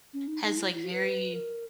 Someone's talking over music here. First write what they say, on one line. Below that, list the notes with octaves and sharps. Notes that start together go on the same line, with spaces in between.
has like, very,
C#4
D#4
D#4
E4
E4
F#4
B4
A#4